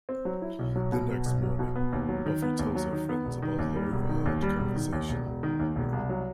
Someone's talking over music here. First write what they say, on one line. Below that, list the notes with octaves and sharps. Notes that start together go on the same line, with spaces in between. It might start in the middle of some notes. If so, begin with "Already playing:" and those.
The next morning, Buffy tells her friends about the overheard conversation.
C4
F#3
E4
B1
F#3
B2
B3
B1
F#3
B2
B3
D#2
F#3
D#3
B3
D#2
F#3
D#3
B3
E1
D#3
D#2
G3
E1
D#3
D#2
G3
E1
D#3
D#2
E1
E1
D#3
D#2
E1
C2
F#3